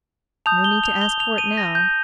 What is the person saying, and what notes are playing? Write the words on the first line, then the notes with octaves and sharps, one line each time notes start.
No need to ask for it now!
A5 D#6 G6 F7
G7
F7
G7
F7
D#7
A#6
G6